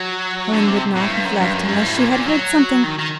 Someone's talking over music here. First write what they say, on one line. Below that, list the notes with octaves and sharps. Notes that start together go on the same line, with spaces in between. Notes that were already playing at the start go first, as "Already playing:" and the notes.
Helen would not have left unless she had heard something.
Already playing: F#3
D3
C3
A2
G2
F#2
G2
F#2
G2
A2
A#2
A#2
F#3
D#3
D#3